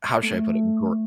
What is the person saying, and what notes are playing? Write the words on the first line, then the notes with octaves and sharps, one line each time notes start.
how should I put it? Gr
A3